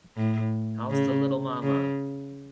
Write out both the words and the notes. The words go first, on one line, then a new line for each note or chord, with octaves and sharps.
How's the little mamma?
A2
C#3
C#3